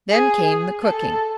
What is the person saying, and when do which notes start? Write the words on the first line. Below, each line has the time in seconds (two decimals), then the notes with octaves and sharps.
Then came the cooking.
0.11 G#4
0.83 A4